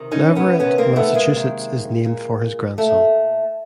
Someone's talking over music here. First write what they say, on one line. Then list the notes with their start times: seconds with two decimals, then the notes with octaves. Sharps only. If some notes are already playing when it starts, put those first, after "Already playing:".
Leverett, Massachusetts is named for his grandson.
Already playing: C3 D#3
0.11 C#4 D#4
0.35 B3 C#4
0.60 C3 D#3 B3 C#4
0.78 A#3 C4
0.96 A3 B3
1.14 G#3 A#3
1.33 C3 D#3
2.05 A#2
2.78 A#2 A3